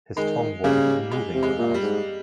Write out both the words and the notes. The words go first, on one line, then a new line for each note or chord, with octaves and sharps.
His tongue wasn’t even moving when asked.
D#3 G#3
C#3 G3 A#3
G#3
C3
G#3
A#2
G3
G#2